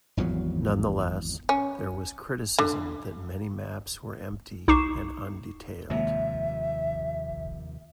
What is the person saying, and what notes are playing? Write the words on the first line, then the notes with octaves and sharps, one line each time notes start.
Nonetheless, there was criticism that many maps were empty and undetailed.
G#1 E2 F3 F#3
C#4
D3
C2 D#4 C#6 D6 C7 E7
D#2 C3 D#3 F3 G#3 A#3 E5